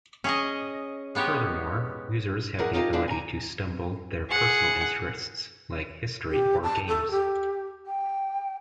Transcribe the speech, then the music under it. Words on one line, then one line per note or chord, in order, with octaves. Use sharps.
Furthermore, users have the ability to stumble their personal interests like "History" or "Games".
C#4 G#4 D#5
G#3 B3 G4 C#5
A3 E4 G#4 A#4 D5 F#5
D4 D#4 F4 G4 A#4 C#5
G#3 C4 D4 F5 A5
G#5 A#5
G#4 F#5
G4
A5
A4
G4
G5